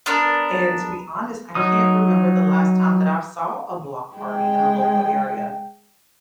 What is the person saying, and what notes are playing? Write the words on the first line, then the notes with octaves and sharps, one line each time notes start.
and to be honest, I can't remember the last time that I've saw a block party in a local area,
B3 D4 A#4
F#3 D#4 D#6
G#3 G5